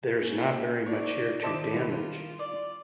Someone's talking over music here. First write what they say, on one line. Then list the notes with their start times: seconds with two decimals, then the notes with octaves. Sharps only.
There's not very much here to damage.
0.20 A#3 C#4
0.86 D#4 C#5 D5
1.43 D#3 C5 D#5 E5 A5 D6
1.72 G3 E4 F4
2.39 D5